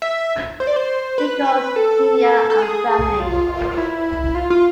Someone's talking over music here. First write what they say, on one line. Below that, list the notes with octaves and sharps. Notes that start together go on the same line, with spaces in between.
Nichols, Junior and family.
E5
C5
D5
C5
B4
A4
A4
G#4
F4
E4
F4
F4